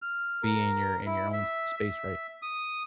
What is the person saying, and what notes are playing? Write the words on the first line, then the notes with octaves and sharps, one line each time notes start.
be in your in your own space, right?
F6
A#4
E4
E5
E5
D#6